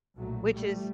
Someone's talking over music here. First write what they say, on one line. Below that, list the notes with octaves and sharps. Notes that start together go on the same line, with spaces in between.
Which is
B1 A#2 F#3 A3
G3 A3